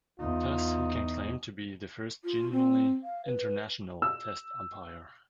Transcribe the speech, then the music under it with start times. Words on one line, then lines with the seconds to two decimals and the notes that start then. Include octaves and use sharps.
Thus he can claim to be the first genuinely "international" Test umpire.
0.20 E2 D#4 F4
2.24 F4
2.52 C4
3.04 F5
3.26 B4
4.02 E6